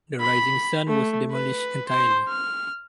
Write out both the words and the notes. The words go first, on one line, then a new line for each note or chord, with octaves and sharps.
The Rising Sun was demolished entirely.
B5
A3
B4
C5
F6